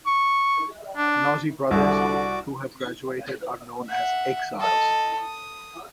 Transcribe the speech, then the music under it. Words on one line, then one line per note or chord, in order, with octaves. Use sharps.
NoZe Brothers who have graduated are known as Exiles.
C#6
D4
C2 D3 F#4 D5 D6
E5 F#5
A4 D#5
D#6